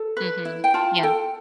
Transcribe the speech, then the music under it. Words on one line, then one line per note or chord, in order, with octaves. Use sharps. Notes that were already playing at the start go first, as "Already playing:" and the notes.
Mhm. Yeah.
Already playing: A4
B4
E4
G5
F4 A5
A4 G5